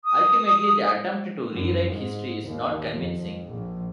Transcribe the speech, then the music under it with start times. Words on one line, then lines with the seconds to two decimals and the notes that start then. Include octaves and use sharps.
Ultimately, the attempt to rewrite history is not convincing.
0.05 D#6
1.52 F#2
1.91 G#2
2.43 D#2
2.94 F2
3.48 A#1